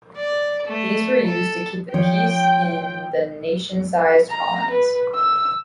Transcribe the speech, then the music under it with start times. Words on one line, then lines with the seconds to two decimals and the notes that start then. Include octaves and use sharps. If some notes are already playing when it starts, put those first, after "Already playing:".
These were used to keep the peace in the nation-sized colonies.
0.16 D5
0.67 A3
1.27 A4
1.94 F3 C#5 G5
4.29 A#5
4.71 B4
5.15 E6